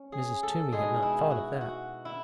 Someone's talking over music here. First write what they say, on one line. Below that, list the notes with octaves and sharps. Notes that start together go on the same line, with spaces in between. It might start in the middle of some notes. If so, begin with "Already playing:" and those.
Mrs. Toomey had not thought of that.
Already playing: C#4
G#4
A4
B2 G#3 D#4 G#4
E4
F#4
F#4
E4